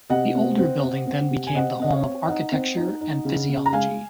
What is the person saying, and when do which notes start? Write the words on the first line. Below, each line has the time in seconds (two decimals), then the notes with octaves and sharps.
The older building then became the home of Architecture and Physiology.
0.10 C3 D#5 F#5
0.35 C4
0.58 C4
0.83 C4
1.07 C4
1.31 C3
1.47 G#5
1.55 C4 D#5 F#5
1.79 C4 D#5
1.92 C#5 F5
2.04 C4
2.28 D#4 D#5 F#5
2.52 C4
2.77 D#4
3.01 D#4
3.25 C#3
3.49 C#3
3.66 A#5
3.73 G#3 F5 G#5